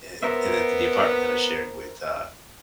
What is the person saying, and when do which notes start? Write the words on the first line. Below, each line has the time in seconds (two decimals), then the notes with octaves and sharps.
in the in the apartment that I shared with, uh,
0.23 B3 A#4 C5 E5